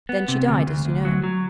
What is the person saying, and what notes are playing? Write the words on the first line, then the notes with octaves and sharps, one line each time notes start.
Then she died, as you know.
B3
C3
D2
D2
D2
F#3
F#3